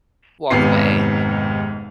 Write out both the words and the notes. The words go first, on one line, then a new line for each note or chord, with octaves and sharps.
walk away,
F1 D#2 G#2 C3 B3 C7